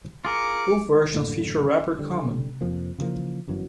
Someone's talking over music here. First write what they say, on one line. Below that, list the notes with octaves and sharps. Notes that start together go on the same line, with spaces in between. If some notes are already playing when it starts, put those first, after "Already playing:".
Both versions feature rapper Common.
F4 G#4 A#4 D6 C#7
F#2 A2 D3 A#3
D3 G3
F2 C3 F3 A#3
C#3 E3 F3 A#3
G1 F#2 E3 F#3